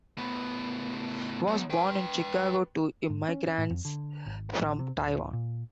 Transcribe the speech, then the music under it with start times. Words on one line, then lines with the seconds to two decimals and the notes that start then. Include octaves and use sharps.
He was born in Chicago to immigrants from Taiwan.
0.18 A2 B3
1.47 F#3 B3
1.70 B4 G5
3.10 G#2
3.29 C#4
3.58 A2
3.70 F2
3.85 D3
4.26 G#1
4.59 A1
4.79 C3
4.96 D1
5.33 A#2